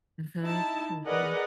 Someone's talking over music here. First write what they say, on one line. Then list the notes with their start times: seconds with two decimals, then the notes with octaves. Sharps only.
Mhm. Mhm.
0.43 D#4 E4 A5
1.06 G#4 A#4 B4 D5 D#5 F#5